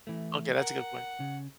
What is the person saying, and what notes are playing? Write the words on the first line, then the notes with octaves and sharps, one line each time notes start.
Okay, that's a good point.
E3 A3
A#4 F#5
C#3